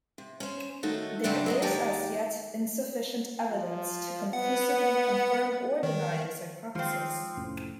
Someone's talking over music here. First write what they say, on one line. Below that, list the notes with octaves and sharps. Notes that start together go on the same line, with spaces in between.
There is as yet insufficient evidence to conclusively confirm or deny this hypothesis.
C3
C#4 C5
D#3 A3 D#4 F#4 A4 C#5
C#3 F#3 A3 C4 D4 C5
F#3 A#4 D#5
D#2 G#3 G4 D#5 A5 A#5
F3
B3 F#5
D#3
D#3 F3 G#3 C4
F1 A2 C#4